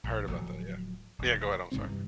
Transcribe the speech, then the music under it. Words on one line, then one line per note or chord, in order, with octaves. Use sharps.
I heard about that, yeah. Yeah, go ahead, I'm sorry.
A#1
D1 C#2 F3 F#3
D#1 D2
G1 G#2 C#3 C4
G2 C3 E3